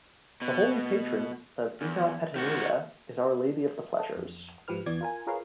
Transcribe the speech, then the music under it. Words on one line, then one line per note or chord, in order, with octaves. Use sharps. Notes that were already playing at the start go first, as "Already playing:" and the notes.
The holy patron of Itapetininga is Our Lady of the Pleasures.
B2
E2
D#3 F#4
A4
F2
G#2 F3 G4 B4 F6
E2 E3 B3 D5 D6 G#6
F4 A#4 G#5
F4 G#4 A#4 B4 C#5 F5